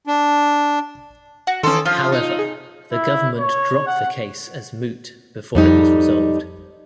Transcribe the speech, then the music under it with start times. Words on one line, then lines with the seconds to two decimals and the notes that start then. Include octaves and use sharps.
However, the government dropped the case as moot before it was resolved.
0.07 D4
1.47 F#4 F#5
1.63 D#3 E3 C#4 A4 C6
1.85 F3 F4
2.12 D#4
2.39 G#4
2.93 E4
3.38 C#5
3.87 F#5
5.55 F2 G3 D#4